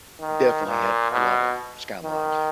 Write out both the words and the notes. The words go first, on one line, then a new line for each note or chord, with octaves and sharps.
definitely had f a lotta SkyMiles,
D#3
A#2
B2
D#3